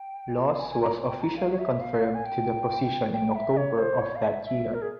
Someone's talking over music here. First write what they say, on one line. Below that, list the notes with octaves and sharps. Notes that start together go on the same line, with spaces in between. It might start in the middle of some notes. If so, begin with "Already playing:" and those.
Laws was officially confirmed to the position in October of that year.
Already playing: G5
F5
G#5
G#5
A#5
G5
A#5
F5
C#5
E5
F5
G#5
G5
G5
E5
C#5
C5
C#5
F5
E5
E5
A#4
G#4